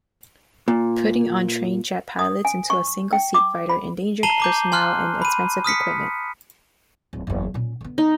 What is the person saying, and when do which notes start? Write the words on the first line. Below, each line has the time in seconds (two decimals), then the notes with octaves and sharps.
Putting untrained jet pilots into a single-seat fighter endangered personnel and expensive equipment.
0.68 A#2
2.19 D#6
2.45 G#5
2.70 C#6
3.13 G5
3.34 D6
3.69 B5
4.23 A5 A#5 C7 D#7 F#7 G7
4.40 A#5 D6 G6
4.72 G#5 C6 F6 F#6
5.22 B5 D#7
5.64 D#6 F6 B6 C#7
7.13 D1
7.27 F#1 E2
7.54 A#2 C#4
7.81 D3 B3
7.98 D#4